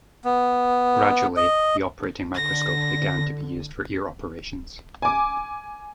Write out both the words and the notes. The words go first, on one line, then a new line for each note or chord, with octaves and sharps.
Gradually the operating microscope began to be used for ear operations.
B3
D#5
D3 A#6
G#5 D6